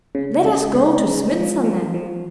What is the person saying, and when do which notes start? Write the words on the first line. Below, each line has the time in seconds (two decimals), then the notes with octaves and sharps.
Let us go to Switzerland!
0.15 C#3
0.45 G#3
0.75 C#3
1.04 G#3
1.33 F3
1.64 F3
1.94 F3